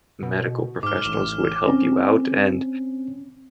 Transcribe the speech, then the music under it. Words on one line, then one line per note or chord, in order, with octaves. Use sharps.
medical professionals who would help you out, and
B2
G#2 D6 F6
A1 E7
C4 C#4